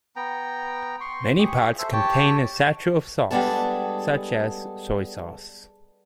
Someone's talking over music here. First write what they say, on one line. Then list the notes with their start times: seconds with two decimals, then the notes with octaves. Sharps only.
Many pots contain a sachet of sauce, such as soy sauce.
0.16 B3 G5 A#5
1.01 C6 C#6
1.39 G4 G#4 C#6
1.78 A4 C5 E5
1.93 G4 C#5 G5 A5
3.31 G3 G#3 B3 D4 G#4 A4